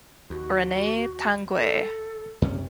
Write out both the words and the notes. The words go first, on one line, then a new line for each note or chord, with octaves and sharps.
Rene Tanguay.
D#2 F#4
A4
F#2 C3 C#4